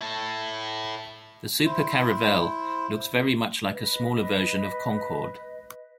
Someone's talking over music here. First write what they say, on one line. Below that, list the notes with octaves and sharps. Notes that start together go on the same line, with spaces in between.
The Super-Caravelle looks very much like a smaller version of Concorde.
E4 A4
E4 C5
B4 D#5